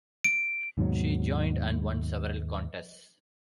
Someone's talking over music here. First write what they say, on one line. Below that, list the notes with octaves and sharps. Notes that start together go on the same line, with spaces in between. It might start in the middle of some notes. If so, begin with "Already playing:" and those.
She joined and won several contests.
D7
D#2 G#2 B2 F#3